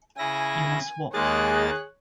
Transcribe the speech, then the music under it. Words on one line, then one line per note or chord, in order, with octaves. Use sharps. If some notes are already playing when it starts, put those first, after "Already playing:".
You must walk.
C#3 E4 G#5 A#6
D#2 G#3 A#3 G#4 C#5 F#6 A6